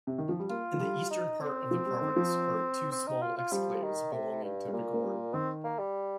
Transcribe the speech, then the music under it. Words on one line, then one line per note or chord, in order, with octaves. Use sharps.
In the eastern part of the province are two small exclaves belonging to Bigorre.
C3
D#3
F3
G3
A#3 F4
F3
G3
D#4
C4
F3
G3
D#3
F3
C4
D#4
F4
F4
F3 G3
D#3
C3
G2
G3
A#2 A#3
A#3
G3
A#3
D#3 C4
A#3
G3